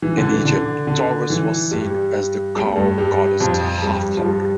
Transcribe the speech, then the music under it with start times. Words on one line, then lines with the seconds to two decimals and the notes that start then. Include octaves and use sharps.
In Egypt, Taurus was seen as the cow goddess Hathor.
0.02 E3
0.18 D3
0.31 E3
0.45 D3
0.87 D3
1.30 E3
1.71 G2 G3
2.56 G3
2.66 A3
2.76 G2 G3
2.98 G2 G3
3.40 F2 F3
3.82 G2 G3
4.17 F3
4.24 G2 G3